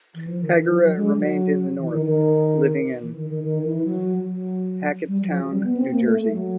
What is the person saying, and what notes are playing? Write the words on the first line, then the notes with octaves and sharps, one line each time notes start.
Hargrett remained in the north, living in Hackettstown, New Jersey.
E3
F3
D#3
E3
F#3
F#3
G#3
F#3
E3
D#3
D#3
E3
D#3
D#3
D#3
E3
F#3
F#3
G3
F#3
F3
F#3
G3
B3
C4
A#3
A3
A3
F#3